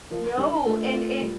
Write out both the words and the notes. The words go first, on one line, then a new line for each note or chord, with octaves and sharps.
No. And it
F3 A#4
G3 D4
A3 F4
F4
G3